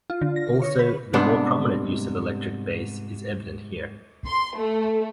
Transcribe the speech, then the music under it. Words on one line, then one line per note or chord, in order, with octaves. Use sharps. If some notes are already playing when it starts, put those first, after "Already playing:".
Also, the more prominent use of electric bass is evident here.
F4
D3
A#6
C#5
B4
G#2 C3 G3 B3 D4
C6
A3